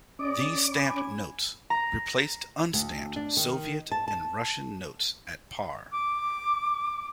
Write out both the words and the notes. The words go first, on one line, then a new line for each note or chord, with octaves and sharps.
These stamped notes replaced unstamped Soviet and Russian notes at par.
C#4 G#4 D5 D#5 D6
G#5 B5
A#5
D2
D4
D#3
A5
A5
D6